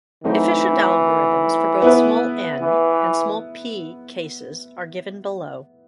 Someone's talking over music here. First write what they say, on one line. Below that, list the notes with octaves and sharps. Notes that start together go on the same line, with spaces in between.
Efficient algorithms for both small "N" and small "P" cases are given below.
E3 F#3 A3 C4 D#4
B3 E4 B4
E3